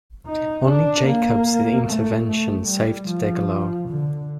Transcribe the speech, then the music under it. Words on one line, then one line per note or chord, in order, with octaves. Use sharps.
Only Jacobs' intervention saved Degelow.
D#4
D4
A#3
A3
A3
G3
F3
D3